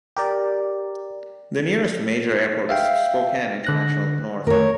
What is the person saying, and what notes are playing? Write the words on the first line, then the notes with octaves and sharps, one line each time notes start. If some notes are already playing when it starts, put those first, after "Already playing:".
The nearest major airport is Spokane International, north.
G4 A#4 D5
E5 F5 G5
D3 F#6 A#6
A3 A#4 C#5